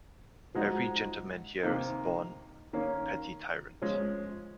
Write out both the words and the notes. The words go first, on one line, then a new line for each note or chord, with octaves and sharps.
Every gentlemen here is born a petty tyrant.
F3 G#3 D#4 F#4
C3 D#3 A#3 D#4
D#3 A#3 C#4
F3 G#3 C#4